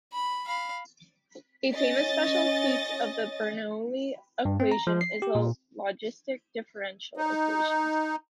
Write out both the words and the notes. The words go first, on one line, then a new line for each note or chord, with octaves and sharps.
A famous special case of the Bernoulli equation is the logistic differential equation.
B5
F5 B5
C#4 D#5 A6
G2
C4
A#5
F3
C7
G4
A#2
D#4